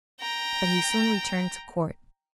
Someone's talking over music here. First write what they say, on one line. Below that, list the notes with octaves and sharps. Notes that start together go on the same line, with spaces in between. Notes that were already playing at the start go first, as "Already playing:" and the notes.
But he soon returned to court.
G5 A#5